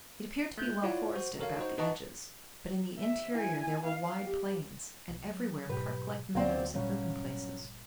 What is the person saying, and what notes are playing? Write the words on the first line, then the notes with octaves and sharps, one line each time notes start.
It appeared to be well forested about the edges, but in the interior there were wide plains, and everywhere parklike meadows and open places.
A3 F#6 G6
E4 F4 C#5 D5 F5 F#5
F#4 C5
F#4 A4 A#4 C#5 F5
D#4 F#4 C5
D#4 B4 D#5 F#5 A5 C#6
E5
E4 G#5
F5
G4
B1
F#3
G#2 B2 F#3 G4 B4
D2 F#3 C4 C5 D5 F5
G1 A#2 C#3 F#3 G3 C#4